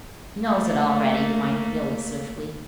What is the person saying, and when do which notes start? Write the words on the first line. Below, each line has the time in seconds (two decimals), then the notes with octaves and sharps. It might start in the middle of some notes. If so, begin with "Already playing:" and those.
"He knows it already!" reminded Billie swiftly.
0.41 A3 A#3